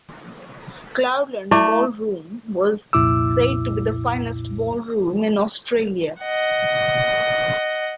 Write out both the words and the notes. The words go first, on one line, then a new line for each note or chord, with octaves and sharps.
Cloudland Ballroom was said to be the finest ballroom in Australia.
A3 E4 D5 D6
C2 F2 A#2 E4 D6 E6
D#5 F#5